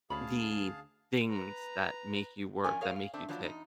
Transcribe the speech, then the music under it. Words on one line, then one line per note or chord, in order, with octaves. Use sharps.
the things that make you work, that make you tick,
D2 C#4 G#4 F5 A5 B5
B4 A#5
F3 C#4 A#4 D5 G#5
G#4 A#4 C#5 D5 F5
F5
A3 C4 D4
F3 F#3 B3 D4 F4
E2 D#4